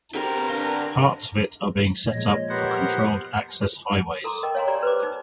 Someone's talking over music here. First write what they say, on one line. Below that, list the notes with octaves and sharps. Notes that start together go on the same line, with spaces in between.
Parts of it are being set up for controlled-access highways.
D3 C4 G4 A#4 C5 A#5
D4 F5 G7
A#2 F3 G#3 C#5 D#5
B3 G4 A#4 C5 F#5
A4 A#5 C6 D6
A#4 D#5 G5
C#5 D#5 F5 G#5 A#5 C6
G4 D5 A#5 C6
B4 C5 D6
D#4